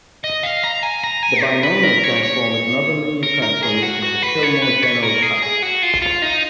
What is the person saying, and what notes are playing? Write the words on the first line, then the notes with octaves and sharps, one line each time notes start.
The binomial transform is another linear transformation of a still more general type.
D#5
F5
A#5
G#5
A#5
G#5
A#4
B4
A#4
C#5
C#5
A#4
A#4
G#4
F#4
F#4
B4
C#5
B4
C#5
A#4
G#4
G#4
F#4
F4
F4
D#4